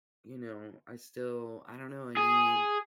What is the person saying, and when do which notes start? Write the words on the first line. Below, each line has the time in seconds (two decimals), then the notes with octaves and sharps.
you know, I still, I don't know, I need
2.17 G#4